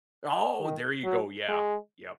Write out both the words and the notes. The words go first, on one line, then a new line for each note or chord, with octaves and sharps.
Oh, there you go, yeah, yep.
D#3
F#3
G#3